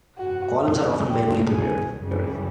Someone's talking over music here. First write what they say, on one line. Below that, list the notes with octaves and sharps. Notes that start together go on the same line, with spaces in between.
Columns are often manually prepared.
G1 F2 C3 F#4
C2 B2 G3 G4
G#4
F#2 C#3 E3 G3